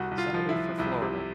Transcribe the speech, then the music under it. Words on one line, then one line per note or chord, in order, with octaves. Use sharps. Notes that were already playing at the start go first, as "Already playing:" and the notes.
Senator for Florida.
Already playing: C2 F#4
C2
F4
F3
E4
F3
C2 E4
C3